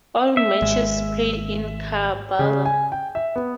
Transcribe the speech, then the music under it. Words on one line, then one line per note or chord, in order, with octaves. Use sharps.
All matches played in Karbala.
E5
G#1 G#3
C#3
G#5
G5
E5
B3